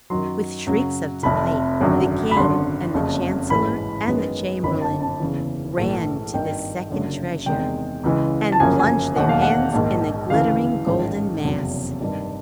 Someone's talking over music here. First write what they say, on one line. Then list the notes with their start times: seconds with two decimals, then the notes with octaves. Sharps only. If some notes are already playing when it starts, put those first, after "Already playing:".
With shrieks of delight, the King and the Chancellor and the Chamberlain ran to this second treasure, and plunged their hands in the glittering golden mass.
0.10 F#2 D#3 F#3 C6
0.66 F#2 C#3 F#3
1.23 F1 F2 C3 B5
1.81 G#1 F#2 D3 F#3
2.31 B5
2.36 G#1 F#2 D3 C6
2.94 F#1 F2 C#3
3.50 A1 G#2 E3 B5
4.07 F#2 D#3 G#3 B3
4.63 G1 F#2 D#3 B5
4.82 A5
5.01 A5
5.20 F#1 E2 C#3 E3
5.77 A#1 G#2 E3 A3
6.34 G#1 G2 D#3 G5
6.90 F#1 F#2 D3
7.46 E2 C3 D#3 G#3 G5
8.03 C#2 C#3 E3 G#3
8.52 A5
8.60 G1 F#2 C#3 F3 A#3 G#5
8.80 G#5
9.16 E1 D#2 D#3 F#5
9.29 F5
9.42 F#5
9.73 A#1 G#2 D#3
10.30 D2 C#3 E3 F5
10.87 A1 G#2 D#3 G#3
11.44 F1 E2 C#3 F#3
12.00 G2 D#3 G3